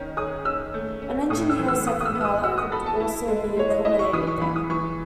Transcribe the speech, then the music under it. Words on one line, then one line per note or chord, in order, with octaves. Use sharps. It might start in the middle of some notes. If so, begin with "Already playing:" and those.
An engineer or second pilot could also be accommodated there.
Already playing: D#3 C#4
G#4 D#6
C#4 E6
A3
C#4
A2 D#6
E6
E3
E6
B3 D#6
D#6
E6
B3
E6
D#6
F#4 E6
D#6
A4 B5
A5
E4
G#3
G#3 C#5
D#5
E4 D#5
C#6
E3 D#6
C#6
E3 B5
D#6
E3 C#6